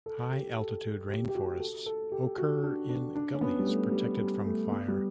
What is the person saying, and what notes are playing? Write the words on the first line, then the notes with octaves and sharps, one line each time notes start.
High altitude rainforests occur in gullies protected from fire.
A4
G4
A4
G4
G4
F#4
A4
A4
G4
F#4
D4
D4
D4
C#4
B3
G3
A3
G3
G3
A3
B3
G3